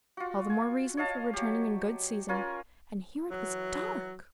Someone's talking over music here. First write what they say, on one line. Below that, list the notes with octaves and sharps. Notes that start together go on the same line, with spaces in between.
All the more reason for returning in good season, and here it was dark!
F4 F#4
G#5
C#5 D#5 F5 A5
F#3 G4
C#4 F4 A#4 G#5
E3 F#3